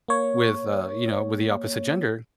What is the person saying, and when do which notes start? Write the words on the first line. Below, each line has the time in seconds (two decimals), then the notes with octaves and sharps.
with, uh you know, with the opposite gender,
0.08 A#3 C#5